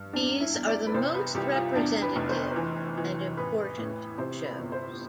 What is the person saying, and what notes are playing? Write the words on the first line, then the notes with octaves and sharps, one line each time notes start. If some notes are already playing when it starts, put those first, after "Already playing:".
These are the most representative and important shows.
Already playing: G2
E2 D4
E4
E2
D5
B4
C2 C5
B4
C2 G4
F4
E2 D4
B4
F1
C5
E3
E3
A1 B4
A2
C3 C5
B4
G1
C5